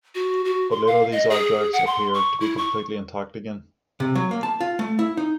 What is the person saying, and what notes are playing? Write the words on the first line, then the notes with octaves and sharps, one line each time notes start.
But later these objects appear to be completely intact again.
F#4
F#4
C6
F5
D#5
G#4
F#5
C6
C#6
E4
C#6
C3
F#3
A#3
A5
F4
A3
E4
D#4